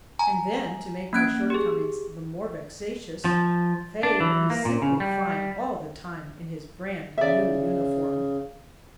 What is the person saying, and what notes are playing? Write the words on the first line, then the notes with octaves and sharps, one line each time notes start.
And then, to make my shortcomings the more vexatious, Faye will be simply fine all the time, in his brand new uniform!
G#5 A#5
A#3 C#4 F#6 G#6 D7
G4 G#4
F3
D4
E3
A#3
A#2
C#3
G3
C#3 D5 E5